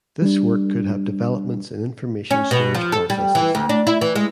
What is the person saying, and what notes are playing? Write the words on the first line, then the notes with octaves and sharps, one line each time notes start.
This work could have developments in information storage processes.
G3 D4
C#4
B2
F3
A4
G3
E3
D2
D4
E4
E3
G#3